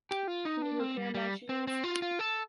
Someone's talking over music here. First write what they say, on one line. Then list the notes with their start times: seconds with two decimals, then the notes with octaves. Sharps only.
Can you repair my shoes?
0.11 G4
0.27 F4
0.45 D#4
0.62 D4
0.80 C4
0.97 G3
1.15 G3
1.49 C4
1.67 C4
1.84 F4
2.02 F4
2.19 A4